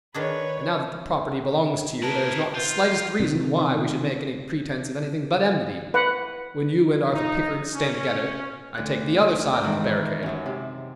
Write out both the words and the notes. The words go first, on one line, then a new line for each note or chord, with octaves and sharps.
And now that the property belongs to you, there is not the slightest reason why we should make any pretense of anything but enmity. When you and Arthur Pickering stand together I take the other side of the barricade!
D#3 D4 G#4 B4 C#5
E4 A#4 B4 A5
F4 G6
C3 D#3
B4 F#5
D#4
C#4
D2 F#6
D5 G5 A#5
D#3 E3 G#3
F#2 C#4
C3